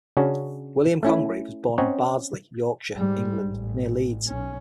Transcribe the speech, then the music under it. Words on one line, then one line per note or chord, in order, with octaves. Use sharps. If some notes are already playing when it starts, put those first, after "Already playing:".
William Congreve was born in Bardsey, Yorkshire, England near Leeds.
C#3 C#4 D4 F#4
A3 C#4 E4
C4 C#4 C#5 D#5 F#5 A#5
G#2 G3
A1
B1 C#4